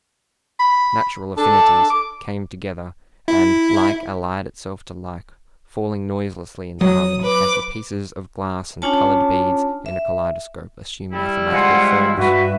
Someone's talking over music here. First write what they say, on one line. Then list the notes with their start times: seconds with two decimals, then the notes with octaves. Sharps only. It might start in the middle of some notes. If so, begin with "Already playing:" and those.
Natural affinities came together, and like allied itself to like, falling noiselessly into harmony, as the pieces of glass and coloured beads in a kaleidoscope assume mathematical forms.
0.59 B5
1.37 D4 A4
1.90 D6
3.28 E4
6.81 F#3 D#6
7.22 B4 D6
8.82 C#4 D4 F4 C#5 G#5 A5
9.86 E5
11.12 G3 E4
11.52 F3 G#3 F4 F5 F#5
12.18 G2 F#4 B4 E5